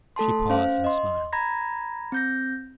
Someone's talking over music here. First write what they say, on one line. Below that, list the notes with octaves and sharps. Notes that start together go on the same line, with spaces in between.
She paused and smiled.
A3 A4 A5 C6
C#4 C5 F5
D#5 C6
A#5 B5 G#6 A#6
C4 G6 A#6